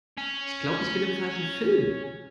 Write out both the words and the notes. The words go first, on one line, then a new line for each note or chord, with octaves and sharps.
Ich glaube, ich bin im falschen Film.
C#4